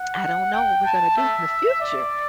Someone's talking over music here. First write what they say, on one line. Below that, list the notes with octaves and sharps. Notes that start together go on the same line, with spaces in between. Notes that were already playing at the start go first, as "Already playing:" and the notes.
"I don't know what we're gonna do in the future."
Already playing: F#5
G5
A5
E5
D5